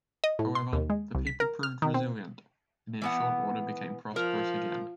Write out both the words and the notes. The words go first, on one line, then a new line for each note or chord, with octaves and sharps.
However, the people proved resilient, and in short order became prosperous again.
D#5
A2
C6
D#2
G#3
C2
B6
A#4
F6
D#3
C4
E3 B3 F#5
F3 A#4